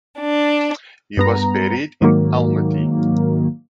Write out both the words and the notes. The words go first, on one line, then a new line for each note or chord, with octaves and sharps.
He was buried in Almaty.
D4
G2 B3 A#5
G#2 D#3 F#3 A#3